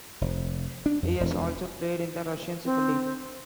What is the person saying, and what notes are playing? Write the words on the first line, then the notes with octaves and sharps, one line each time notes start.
He has also played in the Russian Super League.
F1
D4
F2
E1
C4